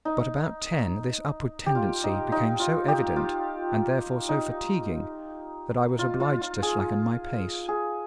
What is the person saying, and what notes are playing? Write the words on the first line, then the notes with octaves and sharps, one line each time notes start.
But about ten this upward tendency became so evident, and therefore so fatiguing, that I was obliged to slacken my pace.
D#4
G4
F4
D#4
D#4
F4
G4
F4
D#4
F4
F4
F4
G#4
G#4